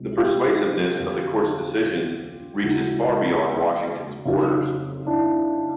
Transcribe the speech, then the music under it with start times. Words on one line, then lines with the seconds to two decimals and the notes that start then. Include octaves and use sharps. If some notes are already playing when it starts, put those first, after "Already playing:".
The persuasiveness of the Court's decisions reaches far beyond Washington's borders.
Already playing: D2 C3 F3 G#3
0.18 F4 G4
0.99 F2 D3 F#3
2.62 D#2 C#3 F3 G#3 E4 F#4
4.25 F2 C#3 F#3 A3 D#4 F4
5.07 D4 E4